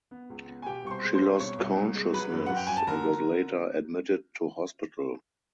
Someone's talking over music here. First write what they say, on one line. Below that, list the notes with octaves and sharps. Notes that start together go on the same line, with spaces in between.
She lost consciousness and was later admitted to hospital.
B3
C#2
B3
G#5
B2 G4 G5
C2 C#6
C5 C6
G#3
C5 C6
C2
B2 C#5 C#6
C2
C2
G#3
F#3 B4 B5
F#2
F#2 F#5
G5
F#2 G#5
A5
D3 A#4 A#5
F#3
D3